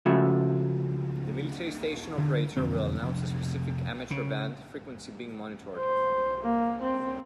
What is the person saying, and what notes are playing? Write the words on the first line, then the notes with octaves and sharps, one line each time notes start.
The military station operator will announce the specific amateur-band frequency being monitored.
C#3 F3 G#3 A3 F#4 E5
D3
E1 F2 D3 C4
F1
C#3
C5
A#3
C4